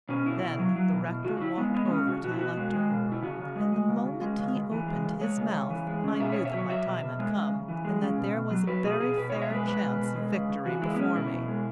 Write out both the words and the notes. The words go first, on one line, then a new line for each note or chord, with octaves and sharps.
Then the rector walked over to the lectern, and the moment he opened his mouth I knew that my time had come, and that there was a very fair chance of victory before me.
B2 C#4
B2 E4
B2
F#3
F#3
B2
B2
C#3 F#4
F#4
C#3 E4
G#3 B3
G#3 B3
B3
C#3 C#4
C#3 F#4
B2 F#4
E4
B2 F#4
G#3
G#3
B2
B2
E4
C#3 F#4
C#3
G#3
G#3
C#3
C#3
G#3
C#3
C#3
E3
G#3
C#3
G#3 C#5
C#3
C#3
E3
G#3
C#3
B2 E5
B2 C#5
E5
F#3 C#5
F#3 E5
B2
B2
G#3
C#3
C#3
E3
G#3
C#3
B2
B2
F#3
F#3 B4
B2 G#4
B2 G#4
B2 B4
B2 C#5
E5
G#3 B4
G#3 B4
B2
B2
G#3
C#3
C#3
E3 F#4
G#3 E4
B3
C#3 C#4
B2 E4
B2
G#3